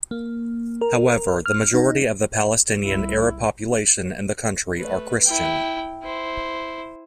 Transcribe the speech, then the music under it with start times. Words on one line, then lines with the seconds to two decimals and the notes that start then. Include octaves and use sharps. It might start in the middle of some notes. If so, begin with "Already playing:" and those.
However, the majority of the Palestinian Arab population in the country are Christian.
0.11 A#3
0.81 A#4
1.46 F6
1.74 D#4
2.84 C2 G3 E4
4.78 A3 B4
5.25 E4 G5
6.03 E4 C5